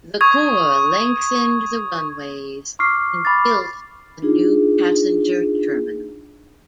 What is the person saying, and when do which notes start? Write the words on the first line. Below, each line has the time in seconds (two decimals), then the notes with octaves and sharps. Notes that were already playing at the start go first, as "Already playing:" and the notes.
The Corps lengthened the runways and built a new passenger terminal.
0.21 C#6 D#6 G#6
2.79 C#6 D6 F6 C7
3.25 B5 D6 A6
4.22 D4 D#4 F4 G#4